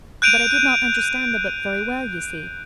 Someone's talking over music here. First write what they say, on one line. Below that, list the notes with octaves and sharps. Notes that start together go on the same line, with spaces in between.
But I did not understand the book very well, you see.
F#6 G6 D7 D#7 F7